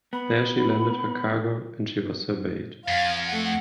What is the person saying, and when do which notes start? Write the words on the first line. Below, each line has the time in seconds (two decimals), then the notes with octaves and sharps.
There she landed her cargo and she was surveyed.
0.13 B3 B5
2.88 F2 F5
3.28 A3 F#5